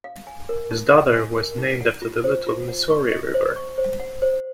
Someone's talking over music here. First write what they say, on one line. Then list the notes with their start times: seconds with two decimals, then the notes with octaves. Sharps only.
His daughter was named after the Little Missouri River.
0.04 F5
0.27 G#5
0.49 A#4
0.71 D#4
0.92 D#5
1.15 G#5
1.36 A#4
1.58 D#4
1.81 F#5
2.02 F4
2.24 C5
2.47 F4
2.68 F#5
2.90 C#6
3.12 D#5
3.34 C5
3.56 C#6
3.78 C5
4.00 F#5
4.22 C5